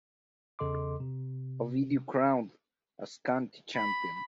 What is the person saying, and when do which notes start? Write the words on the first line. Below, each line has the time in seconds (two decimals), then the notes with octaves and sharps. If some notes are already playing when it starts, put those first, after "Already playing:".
Ovidiu crowned as county champion.
0.59 E2 C#3 A4 D#5 C6 D6
1.00 C3
3.75 B5